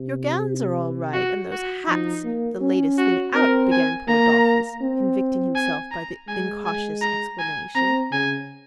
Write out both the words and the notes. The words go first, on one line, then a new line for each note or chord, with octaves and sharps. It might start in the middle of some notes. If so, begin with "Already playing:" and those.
Your gowns are all right, and those hats the latest thing out,' began poor 'Dolphus, convicting himself by the incautious exclamation.
Already playing: C3
F#4
F#4
F3 D#4
A#3
C#4
F#4
C4 A#4
G#5
A#3 A#5
C4
G#5
A#5
G#3 G#5
G#5
A#5
G#5
C4 A#5
C#3 G#5